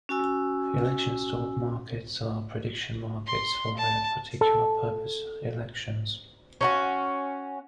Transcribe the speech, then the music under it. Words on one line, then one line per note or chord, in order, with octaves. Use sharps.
Election stock markets are prediction markets for a particular purpose: elections.
C#4 F#4 G#5 E6
C6
A5
A4
C#4 D#4 F#4